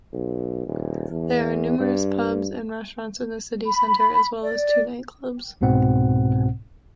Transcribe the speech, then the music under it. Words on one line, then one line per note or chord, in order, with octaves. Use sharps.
There are numerous pubs and restaurants in the city center, as well as two nightclubs.
B1
D#1
E2
G2
B5
D5
C2 G#2 B2 C4 F#5